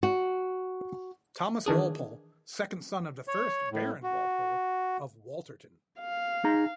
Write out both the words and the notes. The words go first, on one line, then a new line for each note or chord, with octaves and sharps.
Thomas Walpole, second son of the first Baron Walpole, of Wolterton.
F#4
D#3 E3 D4 G#4
C#5
A2
F#4
F5
D#4 G#4 A#5